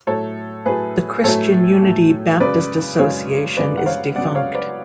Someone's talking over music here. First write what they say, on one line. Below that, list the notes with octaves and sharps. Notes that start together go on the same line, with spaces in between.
The Christian Unity Baptist Association is defunct.
A2 F#3 A3 A4 C#5
A2 F#3 A3 G#4 B4
A2 F#3 A3 A4 C#5
A2 F#3 A3
F#2 C#3 G#3 B4 D5
F#2 C#3 G#3 C#5 F5
F#2 C#3 G#3 B4 D5
F#5
C#5 F5
F#2 C#3 G#3 D5 F#5
C#5 F5
B4 D5